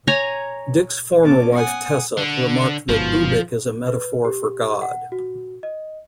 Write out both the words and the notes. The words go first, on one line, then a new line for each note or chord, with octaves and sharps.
Dick's former wife Tessa remarked that Ubik is a metaphor for God.
C#5 G#5 A#5
B3 C#4 A5 D6
F#5 G#5 D#6
D3
G1 G#2 B2 F3
B4
G4
F#5
F#4
D#5